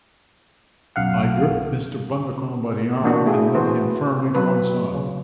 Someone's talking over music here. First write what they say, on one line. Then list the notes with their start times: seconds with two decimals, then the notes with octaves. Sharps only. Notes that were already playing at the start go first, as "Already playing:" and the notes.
I gripped Mr. Bundercombe by the arm and led him firmly to one side.
0.96 B1 F#2 F5 F#5
3.02 E3 A#3 D4 F#4
3.26 A3 E4 G#4
3.55 E3 F#4 B4 C5
4.35 F#3 C4 B4
4.95 C#3